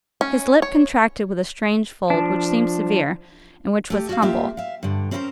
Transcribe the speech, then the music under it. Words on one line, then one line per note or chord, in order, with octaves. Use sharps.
His lip contracted with a strange fold which seemed severe, and which was humble.
C#4
C#5
F3 D4
A3 G4
F#4 F5
A#3 F4 G4 E5
E5 F5
G2 D3
C4 C#4 E4 G#4 A#4 C5